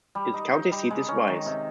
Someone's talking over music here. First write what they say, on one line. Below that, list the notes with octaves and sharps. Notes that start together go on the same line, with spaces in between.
Its county seat is Wise.
G3
D#4
D#4
G3
G#3
C#4
D#3
C3